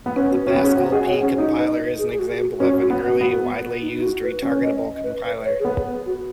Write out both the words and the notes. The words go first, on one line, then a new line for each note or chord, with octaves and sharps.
The Pascal P-compiler is an example of an early widely used retargetable compiler.
B3
C#4 B4
F#4
C#4 F#4
B3
G#4
C#4
F#4
G#4 D#5
F#4 C#5
C#4 G#4
D#4 F#4
B4
G#4
G#4
F#4
F#4
C#4 F#4
F#4
B3
F#4
B3
D#4
D#4
F#4
B4
C#4 C#5
D#5
D#5
B4
B4
C#5
G#4
B3 B4
F#4